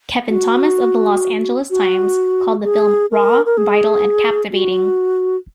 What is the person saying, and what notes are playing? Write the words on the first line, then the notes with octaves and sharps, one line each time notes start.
Kevin Thomas of the "Los Angeles Times" called the film "raw, vital and captivating".
F#4
F#4
G#4
A#4
A#4
G#4
F#4